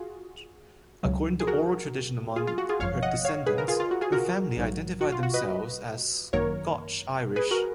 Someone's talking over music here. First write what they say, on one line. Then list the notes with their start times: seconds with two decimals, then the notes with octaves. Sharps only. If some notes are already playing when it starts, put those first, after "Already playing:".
According to oral tradition among her descendants, her family identified themselves as Scotch-Irish.
Already playing: F4 F#4 G#4
1.03 C#2 C#3 F#3
1.40 G#4
1.47 F#4 A#4
2.36 F4 G#4
2.47 F4
2.58 F#4
2.69 F4 G#4
2.79 G#1 F#2 F3 C#5 F5
3.02 D#5 F#5
3.25 C#5 F5
3.46 G#4 B4
3.58 A#4
3.68 F4 G#4
3.80 F4
3.91 F#4
4.01 F4 G#4
4.12 F#4 A#4
4.57 A#1 G#2 F#3
5.01 F#4
5.12 F4
5.23 F#4
5.34 B4 D#5
6.33 G#1 F#2 D#3 F#3 A#3 A#4 C#5
7.36 G#4 B4
7.51 F#4 A#4